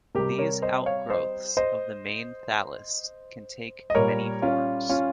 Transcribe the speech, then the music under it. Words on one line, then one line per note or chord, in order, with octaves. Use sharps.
These outgrowths of the main thallus can take many forms.
C3 G3 G4 A#4
A#4 C#5
C5 D#5
C#5 F5
C5 D#5
C5 D#5
D#5
A#2 G3 A#4 C#5
C#4 F4
C#4 F4